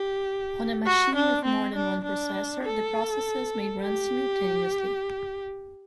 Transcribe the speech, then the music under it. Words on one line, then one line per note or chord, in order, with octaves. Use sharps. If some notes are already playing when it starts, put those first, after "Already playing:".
On a machine with more than one processor, the processes may run simultaneously.
Already playing: G4
F#4
D4
C4
D4
D4
A4
G4